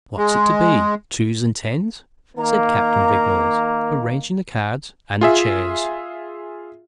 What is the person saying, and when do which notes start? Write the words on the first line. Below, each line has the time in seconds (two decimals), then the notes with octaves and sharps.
"What's it to be:--twos and tens?" said Captain Vignolles, arranging the cards and the chairs.
0.17 G#3
2.38 D#3 A#3 A#5
5.21 F4 G#4 E5